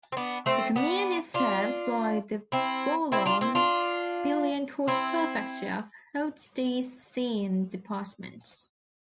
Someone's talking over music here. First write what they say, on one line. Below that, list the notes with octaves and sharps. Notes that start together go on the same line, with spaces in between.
The commune is served by the Boulogne-Billancourt prefecture, of the Hauts-de-Seine department.
C4
B3 D4
A3 C4
B3 D4
D4 F4
C4 E4
C4 E4
D4 F4
C4 E4
D4 F4
C4 E4